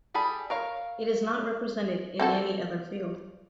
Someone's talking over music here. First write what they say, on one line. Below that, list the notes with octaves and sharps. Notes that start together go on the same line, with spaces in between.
It is not represented in any other field.
G3 G#4 A4 B5
A#4 C#5 F5
C4 F#4 A4